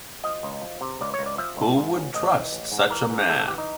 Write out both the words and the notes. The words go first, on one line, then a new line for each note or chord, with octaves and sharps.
Who would trust such a man?
F3 D#5
C#2
F3
C3
C#2 D5
C#5
C#2
D5
F3 E5
C#2
G#2
A1
A1 D#5
E3
A1
G#2
E3 A#4
G#2
G#2 A4
A4
E3 G4
D#4